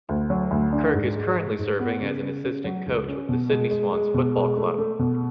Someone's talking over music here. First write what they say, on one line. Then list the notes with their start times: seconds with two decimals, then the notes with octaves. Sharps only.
Kirk is currently serving as an assistant coach with the Sydney Swans Football Club.
0.09 D2
0.30 F#3
0.51 D2
0.72 D4
0.93 G#2
1.15 G#3
1.36 G#3
1.58 G#2
1.80 B3
2.01 C#3
2.22 C#3
2.44 C#3
2.64 F#3
2.86 C#2
3.08 C#4
3.29 B2
3.50 G#3
3.71 G#3
3.93 G#3
4.14 B2
4.36 G#3
4.57 A3
4.78 A3
4.99 B2